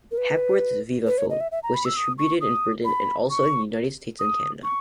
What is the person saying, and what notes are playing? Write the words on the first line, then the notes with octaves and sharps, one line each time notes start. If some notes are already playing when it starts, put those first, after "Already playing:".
Hepworth's vivaphone was distributed in Britain and also in the United States and Canada.
A#4
B4
B4
C#5
D#5
E5
E5
A#5
B5
E6
D#6
C#6
D#6
B5
C#6
D#6
C#6